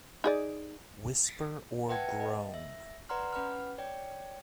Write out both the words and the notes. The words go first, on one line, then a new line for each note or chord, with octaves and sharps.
Whisper or groan.
D#4 G#4 D5
B4 E5 F#5 G5 A5 G#6
D#5
E5
B4 D5 F#5 A#5 C6 F6
C#4 B4 F#5 B5 F6
C#5 D5 G5